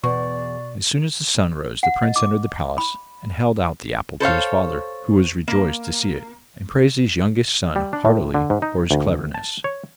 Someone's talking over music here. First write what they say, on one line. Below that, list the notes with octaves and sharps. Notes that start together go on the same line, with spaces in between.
As soon as the sun rose the prince entered the palace, and held out the apple to his father, who was rejoiced to see it, and praised his youngest son heartily for his cleverness.
E2 B2 D5 C#6
F#5
D#5
D6
B5
A4 C5 C#5 F5
A#3
G3
D4
A2
D3
G#2
D#4
D2
A5
C#5